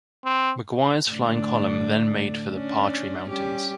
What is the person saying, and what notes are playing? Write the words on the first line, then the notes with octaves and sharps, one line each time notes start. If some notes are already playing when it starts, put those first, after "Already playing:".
Maguire's flying column then made for the Partry Mountains.
C4
A2 D3 D4
C#4 D4
G3 C#4 G4